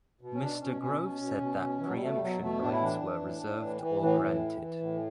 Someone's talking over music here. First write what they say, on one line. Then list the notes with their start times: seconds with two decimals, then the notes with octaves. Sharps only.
Mr. Grove said that preemption rights were reserved or granted.
0.21 B2
0.35 C#4
0.42 B2 D4
0.61 B2 C#4
0.81 B2 C#4
1.02 B2
1.21 B2
1.41 B2
1.61 B2
1.78 E3
1.82 B2 F#3
1.94 G3
2.01 B2 A3
2.14 G3
2.21 B2 F#3
2.41 B2 A3
2.61 A2 D4
2.73 E4
2.81 E3 D4
3.01 E3
3.21 A2
3.41 A2
3.61 E3
3.81 E3
4.01 A2 E3
4.20 A2 E3
4.41 E3
4.61 E3
4.81 A2